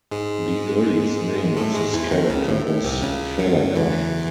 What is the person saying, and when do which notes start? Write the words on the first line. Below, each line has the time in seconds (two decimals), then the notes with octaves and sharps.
The earliest name of this character was Felagoth.
0.11 G#2 G#3
1.57 A2 A3
1.75 G#2 G#3
1.94 E2 E3
2.11 D#2 D#3
2.29 C#2 C#3
2.49 A2
2.66 A2
2.84 C2 C3
3.02 C#2 C#3
3.39 F#2 F#3
3.76 E2 E3